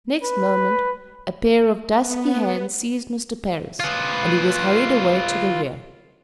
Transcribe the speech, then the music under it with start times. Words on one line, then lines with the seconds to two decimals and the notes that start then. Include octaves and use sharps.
Next moment, a pair of dusky hands seized Mr. Parris, and he was hurried away to the rear.
0.23 B4
1.98 B3
3.80 F4 B4